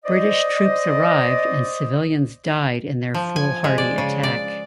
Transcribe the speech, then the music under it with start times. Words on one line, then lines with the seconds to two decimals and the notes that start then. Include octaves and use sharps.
British troops arrived and civilians died in their foolhardy attack.
0.05 C5 D5 D#5
3.14 F3
3.36 G#5
3.64 G#3
3.78 D5
3.98 C#3
4.23 D5